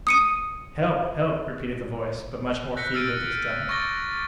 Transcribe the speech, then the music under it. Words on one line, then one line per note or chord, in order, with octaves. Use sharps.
"Help! help!" repeated the voice, but much more feebly this time.
D#6 C#7 D#7
E6 F#6 G6 A#6 B6 C#7
E6 F6 G6 A6 D7 D#7
C#6 D6 A6 A#6 G7